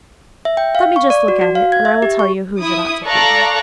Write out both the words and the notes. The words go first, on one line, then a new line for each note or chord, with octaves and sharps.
'Let me just look at it, and I will tell you whose it ought to be.'
E5
G5
F5
C#6
D5
F#4
F#4
F5
G#6
E5
G4
C#6
E4 D#6
A4 D5 F5 A#5 C#6 F#6